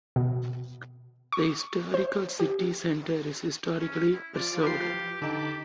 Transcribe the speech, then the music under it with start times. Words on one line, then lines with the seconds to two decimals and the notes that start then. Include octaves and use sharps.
The historical city center is historically preserved.
0.16 B2
1.32 C#6
1.94 C5
2.40 G4
3.80 C#4
4.14 E4
4.35 F3 F4 D5
4.62 G4 B4 C7
5.22 D3 D#4 G4 A5 B5 D6